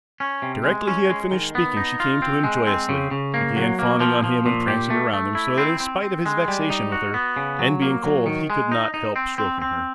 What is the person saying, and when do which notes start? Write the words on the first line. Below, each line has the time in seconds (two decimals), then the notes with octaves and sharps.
Directly he had finished speaking she came to him joyously, began fawning on him and prancing round him so that in spite of his vexation with her, and being cold, he could not help stroking her.
0.20 C#4
0.42 C3
0.64 G#3
0.87 C#4
1.10 G#3
1.31 D#3
1.55 B3
1.77 D#4
2.00 F4
2.22 C4
2.44 G#3
2.67 C4
2.89 C#3
3.11 C#3
3.34 A#3
3.57 F#3
3.79 A#3
4.00 F3
4.24 F3
4.46 A#2
4.68 G4
4.90 A3
5.13 A3
5.35 E4
5.58 C4
5.80 C4
6.02 C4
6.26 G#3
6.48 G3
6.70 D#4
6.92 F#4
7.14 B3
7.36 C#3
7.59 F#3
7.82 A#3
8.04 F#3
8.26 D#3
8.50 G#3
8.72 D#4
8.94 D#4
9.16 C4
9.38 C4
9.62 C4